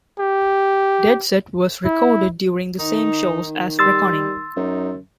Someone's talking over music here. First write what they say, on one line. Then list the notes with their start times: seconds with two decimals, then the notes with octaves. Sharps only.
"Dead Set" was recorded during the same shows as "Reckoning".
0.19 G4
1.85 E4
2.79 D#3 D#4
3.79 G3 C6 E6 A6
4.56 F#2 D#4